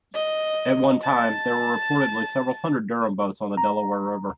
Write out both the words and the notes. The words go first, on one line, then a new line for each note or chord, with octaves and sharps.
At one time, there were reportedly several hundred Durham boats on the Delaware River.
D#5
A5
A#5